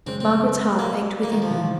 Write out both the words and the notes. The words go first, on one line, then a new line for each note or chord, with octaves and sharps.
Margaret's heart ached within her.
F#2 C#3 G#3 C4
C4
A#3
A#3
D#3
F3
C3 D#3 F#3